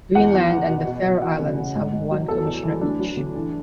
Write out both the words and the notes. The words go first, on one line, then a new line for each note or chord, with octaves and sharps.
Greenland and the Faroe Islands have one Commissioner each.
E2 F#5
E2
E3
B2
B2
B2
E3 F#5
C#3
C#3
G#2
G#2
F#3
E2 A4
E2
E3
D2 D4
F#3
D3
E3